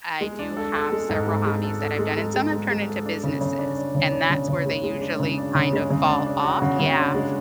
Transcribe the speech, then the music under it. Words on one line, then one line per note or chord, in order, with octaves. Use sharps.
I do have several hobbies that I've done, and some have turned into businesses, and that's where they usually kind of fall off Yeah,
G#3
D4
A4
A4
G#3
G#2
G#3
G#3
A4
A4
G#3
G#3
G#3
G#3
G#3
A4
D4
C#3
C#3
D4
D4
C#3
D4
C#3
C#3
G#3
G#3
D4
C#3
D4
C#3
G#3
C#3
D4
D4
F#4
C#3
C#3
D4
G#3